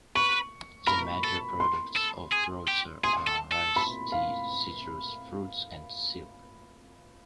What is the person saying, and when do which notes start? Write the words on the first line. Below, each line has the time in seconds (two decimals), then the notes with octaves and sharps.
The major products of Roudsar are rice, tea, citrus fruits, and silk.
0.15 B4 C#6
0.87 A#4 B5
1.24 A4
1.60 C6
1.96 A4
2.32 G#4
2.68 G4
3.04 G#4 C6
3.27 A4
3.52 A4
3.76 B5
4.12 F5